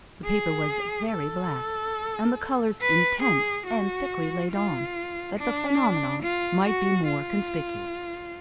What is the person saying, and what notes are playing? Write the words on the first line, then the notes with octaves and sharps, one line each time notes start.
The Paper was very black, and the Colours intense and thickly laid on, that the Phaenomenon might be more conspicuous.
G#4
A4
B4
G#4
F#4
F4
D4
F4
F#4
F4